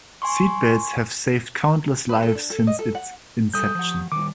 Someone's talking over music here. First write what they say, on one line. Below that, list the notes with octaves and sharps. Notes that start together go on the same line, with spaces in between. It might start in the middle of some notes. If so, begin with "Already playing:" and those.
Seat belts have saved countless lives since its inception.
G#5 C6 C#6
B4
A4
D4
A4
D#5
A4
F#5
G3 A4 D#6 G6
F3 F#5
D#3 G3 D6